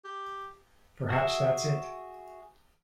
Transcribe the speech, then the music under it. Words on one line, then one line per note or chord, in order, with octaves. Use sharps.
Perhaps that's it.
G4
F#4 G#4 E5